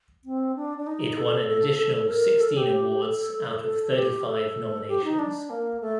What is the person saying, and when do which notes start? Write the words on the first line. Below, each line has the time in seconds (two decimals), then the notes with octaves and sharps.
It won an additional sixteen awards out of thirty-five nominations.
0.24 C4
0.56 D4
0.78 D4
0.86 D#4
1.17 A4
1.48 A4
1.79 A4
1.95 A4
2.09 A#4
2.40 A4
2.57 G4
3.02 A4
3.65 A4
3.96 G4
4.26 A4
4.88 G4
5.04 D#4
5.19 D4
5.49 A#3
5.81 A3